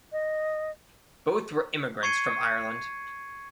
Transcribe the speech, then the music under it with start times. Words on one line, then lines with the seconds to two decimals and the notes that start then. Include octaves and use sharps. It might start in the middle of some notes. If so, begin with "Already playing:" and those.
Both were immigrants from Ireland.
0.12 D#5
2.03 C#6 G#6 C7 C#7 D#7